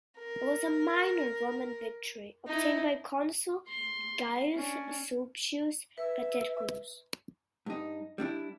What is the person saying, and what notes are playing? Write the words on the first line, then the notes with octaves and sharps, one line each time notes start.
It was a minor Roman victory, obtained by consul Gaius Sulpicius Paterculus.
A#4
D#4 E4
C6
C#4 D4
B4 E5
G2 D#4
G3 D4 E4